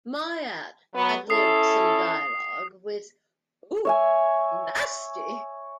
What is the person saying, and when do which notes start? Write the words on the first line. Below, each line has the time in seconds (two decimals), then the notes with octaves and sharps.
Myatt ad-libbed some dialogue, with Ooh, nasty!
0.95 F#3 B3
1.30 C#4 E4 A4 D#6 C7
3.85 C#5 E5 G#5